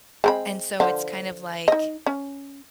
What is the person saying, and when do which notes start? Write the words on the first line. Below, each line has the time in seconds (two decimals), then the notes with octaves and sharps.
and so it's kind of like,
0.24 G#3 C4 B5
0.80 D3 F3
1.68 D#4 D#5
2.06 C#4